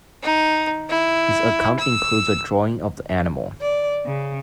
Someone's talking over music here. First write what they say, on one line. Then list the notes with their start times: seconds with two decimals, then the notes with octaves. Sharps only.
His account includes a drawing of the animal.
0.23 D#4
0.90 E4
1.79 E6
3.62 D5
4.06 C#3